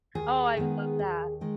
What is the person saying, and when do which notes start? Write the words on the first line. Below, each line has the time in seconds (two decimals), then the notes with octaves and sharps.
Oh, I would love that.
0.15 D#2 G#4
0.57 D#3 G#3 B3
0.99 D#2
1.41 D#3 G#3